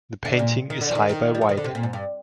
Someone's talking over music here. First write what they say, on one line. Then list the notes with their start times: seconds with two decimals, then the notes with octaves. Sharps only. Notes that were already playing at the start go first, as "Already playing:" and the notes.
The painting is high by wide.
0.25 D3
0.39 A#2
0.70 D#3
0.81 D3
0.91 F3
0.95 D#3
1.09 D#3
1.35 G3
1.41 F3
1.49 D#3
1.57 D3
1.64 C3
1.75 A#2
1.83 G#2
1.93 G2